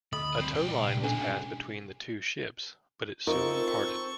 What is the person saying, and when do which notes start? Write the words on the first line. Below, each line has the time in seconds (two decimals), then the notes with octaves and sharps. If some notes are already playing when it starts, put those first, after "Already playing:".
A towline was passed between the two ships, but it soon parted.
0.13 D2 D#5 B5 D#6
0.39 G3 C4
0.54 C2 G5
0.69 A#2 D5
1.03 B2 G#3 C#4 D4
3.27 C4 D#4 F4 A4 A#4 C#6